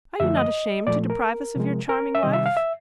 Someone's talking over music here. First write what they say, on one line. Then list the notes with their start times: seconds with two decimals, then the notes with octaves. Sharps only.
"Are you not ashamed to deprive us of your charming wife?"
0.20 F#2 D3 F3 A3 E5
0.37 D#5
0.87 A#2 F3 A3 D5
1.10 A#4
1.56 C3 F3 G#3
1.89 A#4
2.15 E5
2.23 C3 D#3 G3 D#5
2.34 E5
2.46 F5
2.57 E5